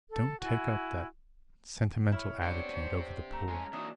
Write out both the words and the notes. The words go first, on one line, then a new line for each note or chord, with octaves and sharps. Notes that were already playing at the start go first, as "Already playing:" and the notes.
Don't take up that sentimental attitude over the poor.
A4
E4 F#4 G#5
E4 C#5 E5 F6
B3 D4 G4 C5 C#7
A3 A#5
G#3 C#4 G#5
D#2 E3 F#3 D4 D#6